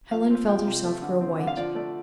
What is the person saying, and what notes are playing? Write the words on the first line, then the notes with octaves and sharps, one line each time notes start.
Helen felt herself grow white.
F3 F5
C4
F3 G5
C3
A3
D3
C4
D3
F5
F3 D5
A3 D5